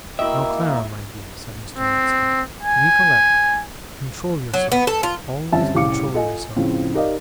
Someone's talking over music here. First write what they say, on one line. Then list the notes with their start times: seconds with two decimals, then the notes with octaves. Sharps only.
'Now, Clara my dear,' said Mr. Murdstone. 'Recollect! control yourself, always control yourself!
0.19 A#3 E4 F#4 D#5 E5 G5
1.77 C4
2.63 G#5
4.54 F#3
4.72 B3
4.87 A4
5.03 F4
5.52 G1 C4 C#4 E5 A5
5.75 C2 A2 C#3 F5 D6 C#7
6.14 F4 A4 D#5 G#5
6.56 A2 C#3 F3 C4
6.94 D#4 G4 A#4 D5 D#5 F5